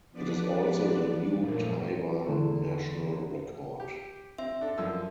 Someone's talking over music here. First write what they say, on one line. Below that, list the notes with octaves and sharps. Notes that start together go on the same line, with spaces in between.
It is also the new Taiwan national record.
F3 B3 D4 B4 D5
F#2 A#2 F3 A3 A#3
E2 D3 A3
G4
C4 E5
D4 A4
F#2 F3 E6